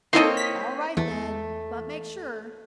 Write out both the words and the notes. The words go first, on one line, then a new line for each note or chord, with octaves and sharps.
"All right, then, but make sure."
A#3 C4 D#4 E4 A4 C#5 D#5 C6
B6
E2 A3